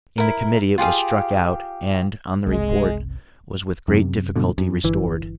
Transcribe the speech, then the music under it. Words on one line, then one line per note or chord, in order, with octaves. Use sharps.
In the Committee it was struck out, and, on the report, was with great difficulty restored.
E4 A#4
F4 G4 G#4 F5
F#1 C2 G#3
F#2 C3
G2 B2 D3
F#2
G1 E3